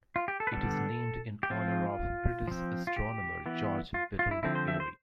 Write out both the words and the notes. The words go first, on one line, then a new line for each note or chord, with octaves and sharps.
It is named in honour of British astronomer George Biddell Airy.
F4
G4
A4
B4
D3 G3 B3 A4
G4
F3 C4 F4
F3 C4
F4
G4
E3 B3
F4
F4
E4
D3 F3 C4 E4
C5
E5
C5